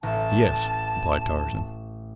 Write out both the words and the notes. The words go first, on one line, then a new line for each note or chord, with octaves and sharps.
"Yes," replied Tarzan.
A1 A5